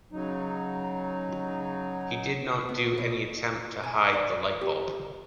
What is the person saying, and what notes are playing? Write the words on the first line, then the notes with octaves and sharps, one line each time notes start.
He did not do any attempt to hide the light bulb.
C#3 F#3 D#4
B3
B2
G#5
D5
G4